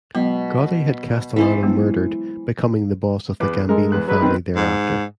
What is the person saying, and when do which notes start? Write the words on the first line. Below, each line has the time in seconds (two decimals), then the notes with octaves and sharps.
Gotti had Castellano murdered, becoming the boss of the Gambino family thereafter.
0.15 B2 F#3 G#3 B3
1.36 E3 C4 A4 B4 C5
1.63 F#3 G#3 B3
3.40 E2 B4 D6
3.69 G#3 A4 A#4
3.92 E2 B4 F#6
4.08 F#3 G#3 B4
4.22 B2 D#3 C4
4.56 G#2